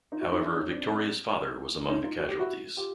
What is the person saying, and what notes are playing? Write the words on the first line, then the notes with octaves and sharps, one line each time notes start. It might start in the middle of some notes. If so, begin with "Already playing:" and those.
However, Victoria's father was among the casualties.
D#4 F4
E4 F#4
D#4 F4
D4 E4
C#4 D#4
C4 D4
C#4 D#4
D#4 F4
F#4
G4
E4 F#4
F4 G4